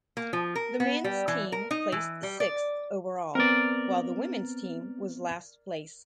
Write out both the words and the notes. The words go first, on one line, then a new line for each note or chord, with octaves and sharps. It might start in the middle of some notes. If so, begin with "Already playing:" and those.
The men's team placed sixth overall, while the women's team was last place.
A#3
F3
A#4
B3
G3
E3
A#4
D#4
E3
G3
D5
B3 C4 A#4 D5